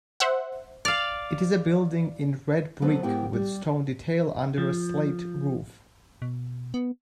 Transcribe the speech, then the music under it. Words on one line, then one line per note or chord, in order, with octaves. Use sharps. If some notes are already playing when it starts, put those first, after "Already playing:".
It is a building in red brick with stone detail under a slate roof.
C5 E5 F#5
D5 F5 F6
D3 F#3 B3 A4 B4 C5
G#2 B3 E4 G4 A#4 G5
G3
F3
B2
B3